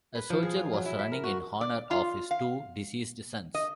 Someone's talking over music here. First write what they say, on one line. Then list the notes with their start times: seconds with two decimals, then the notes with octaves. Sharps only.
A soldier was running in honor of his two deceased sons.
0.15 B4
0.30 F3
0.43 G#4
0.56 F4
0.73 F#3
0.85 E4
0.99 E5
1.12 A#4
1.24 F#4
1.61 D5
1.91 F4
2.31 F5
3.55 D#5